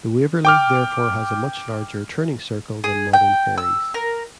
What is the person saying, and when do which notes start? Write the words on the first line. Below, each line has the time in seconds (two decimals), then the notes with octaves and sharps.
The "Waverley" therefore has a much larger turning circle than modern ferries.
0.45 G5 D6 F6
2.84 G#4
3.13 G5
3.58 E6
3.94 A#4